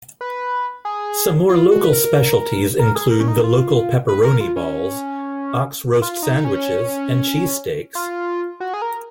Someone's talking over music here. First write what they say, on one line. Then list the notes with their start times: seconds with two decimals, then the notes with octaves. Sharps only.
Some more local specialties include the local pepperoni balls, ox roast sandwiches, and cheesesteaks.
0.21 B4
0.85 G#4
1.49 F4
1.71 F#4
1.84 B4
1.93 A#4
2.79 A#4
2.95 G#4
3.11 A#4
3.20 C#4
3.28 D#4
3.44 F4
4.08 B4
4.25 A#4
4.40 F4
4.56 C#4
6.02 F4
6.22 D#4
6.37 D#4
6.44 C#4
7.95 F4
8.60 F#4
8.74 G#4
8.82 A#4